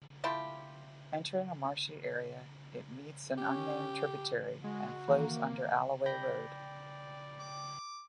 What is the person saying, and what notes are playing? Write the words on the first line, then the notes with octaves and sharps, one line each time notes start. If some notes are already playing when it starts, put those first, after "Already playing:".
Entering a marshy area, it meets an unnamed tributary and flows under Alloway Road.
A3 E4 F4 G4
C#4 G4
G#3 F#4
D#3 E3 A#3
D5 G5 B5 G6 A#6
D6